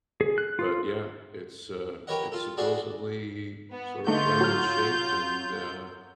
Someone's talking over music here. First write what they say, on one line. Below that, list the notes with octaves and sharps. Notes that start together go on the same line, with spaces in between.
But, yeah, it's, uh, it's supposedly sort of lemon shaped, and, uh,
G#4
F#6
F4
G4 A#4 B4 C#5 D#5 F#5
F4 A4
D4 F#4 G#4 A4 G#5 C#6
B3
D3 A3 D#4 F4 G6
F#3 F6